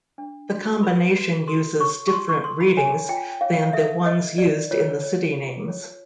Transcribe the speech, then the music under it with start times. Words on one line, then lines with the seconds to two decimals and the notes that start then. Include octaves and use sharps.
The combination uses different readings than the ones used in the city names.
0.18 D4
0.51 F#4
0.83 B4 B5
1.16 F#4
1.47 A4 C6
1.80 C#5 C#6
2.08 C#6
2.12 F4 C6
2.29 C#6
2.44 A4 C6
2.61 B5
2.77 C#5 G#5
3.09 F4 G5
3.41 C#5 F5
3.73 A4 E5
4.06 F4 D#5
4.38 F4 D5
4.71 F4 C#5
5.03 C#5
5.36 F4
5.68 C#5